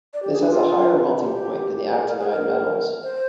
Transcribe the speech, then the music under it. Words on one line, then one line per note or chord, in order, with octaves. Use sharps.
This has a higher melting point than the actinide metals.
D5
G4
G#4
D4
F4
G4
G#4
A#4
G#4
A#4
C5